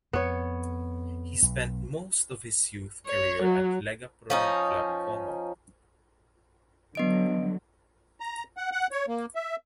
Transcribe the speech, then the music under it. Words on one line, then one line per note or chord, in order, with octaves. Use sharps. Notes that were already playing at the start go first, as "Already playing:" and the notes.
He spent most of his youth career at Lega Pro club Como.
F2 B3 C#5
B1
C#5
F#3
F3 C#4 D#4
D3 F#3 B3 D#5 D7
A#5
F#5
F#5
C#5
A#3
E5